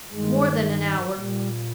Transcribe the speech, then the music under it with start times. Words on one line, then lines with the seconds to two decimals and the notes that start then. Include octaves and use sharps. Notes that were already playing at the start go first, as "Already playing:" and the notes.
More than an hour.
0.12 G2 D#3 G#3
1.17 A#2 G3